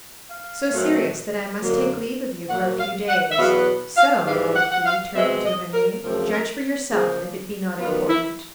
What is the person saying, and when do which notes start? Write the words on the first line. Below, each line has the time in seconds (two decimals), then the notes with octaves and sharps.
"So serious that I must take leave of you for a few days; so," added he, turning to Renee, "judge for yourself if it be not important."
0.29 F5
0.73 A#2 F#3 A3 C4
1.62 F#2 D3 F#3 A#3
2.49 A#2 F#3 A#3 F#5
2.79 F5
3.09 F#5
3.31 E5
3.38 E2 B2 F#3 B3 F5
3.97 F5
4.26 G#2 E3 G3 F5
4.56 F#5
4.71 F#5
4.85 F5
5.15 B2 G#3 C4 E5
5.44 D#5
5.73 A#4
6.03 F#2 C#3 F3 A3 C4 A#4
6.32 A#4
6.91 C#3 F3 A#3 G#4
7.80 F#2 D#3 G3 B3 F4
8.09 E4